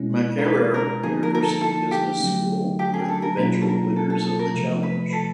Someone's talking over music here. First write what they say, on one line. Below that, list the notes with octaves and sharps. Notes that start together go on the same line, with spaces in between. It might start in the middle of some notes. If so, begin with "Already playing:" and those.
Makerere University Business School were the eventual winners of the challenge.
Already playing: B2 G#3 C#4 E4
A#4
B4
A#4
D3 F3 A#3 D#4 G#4
A#4
A#4
A4
A4
G4
D3 F#3 A3 C#4
G4
G#4
A4
A#4
B2 F#3 A#3 C#4 F4 B4
A4
A#4
A4
A4
A4
A#4
C3 F3 A3
B4
A4